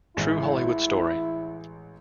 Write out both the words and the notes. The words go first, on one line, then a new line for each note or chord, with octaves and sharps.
True Hollywood Story.
A1 G#3 E4